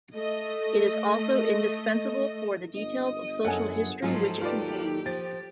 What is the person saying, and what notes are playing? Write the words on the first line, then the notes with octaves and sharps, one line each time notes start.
It is also indispensable for the details of social history which it contains.
A3 D#5
G1 D#5
F#2 G#4 A4 F#5
G#2 F3 F#3 F4 A4 G#5
D#2 F4 G4 B4 D5
F3 A6